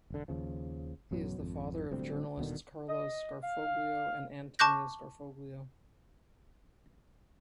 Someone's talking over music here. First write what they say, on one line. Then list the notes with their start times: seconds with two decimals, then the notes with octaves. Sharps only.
He is the father of journalists Carlo Scarfoglio and Antonio Scarfoglio.
0.10 E1 D3
0.28 D#2 C#3 F3
1.11 A1 F#2 B2 F#3
1.38 G#1 F2
1.91 D1 D2 G3 C4
2.38 D#1 B2 D3 D#3
2.89 D#5
3.42 F5
4.59 A5 C#6 D6 F#6 G6 A#6